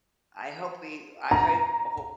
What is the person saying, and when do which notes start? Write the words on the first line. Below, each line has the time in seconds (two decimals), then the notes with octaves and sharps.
I hope we I hope I hope
1.31 A#5